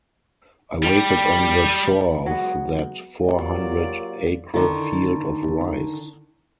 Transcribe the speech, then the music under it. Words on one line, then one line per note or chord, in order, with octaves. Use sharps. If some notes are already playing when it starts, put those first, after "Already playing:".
I waited on the shore of that four hundred acre field of rice.
G3
F#3 G#3 B3
F#3 A#3 F4 G4 D5
D3 D#3